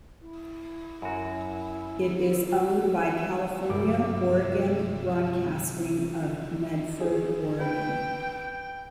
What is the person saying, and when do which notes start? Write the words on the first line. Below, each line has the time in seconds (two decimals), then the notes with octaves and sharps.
It is owned by California Oregon Broadcasting of Medford, Oregon.
0.21 E4
1.02 F#2 F#4
3.69 C2 G2 F#3 D6
7.00 G#4
7.60 B4 G5
8.34 G5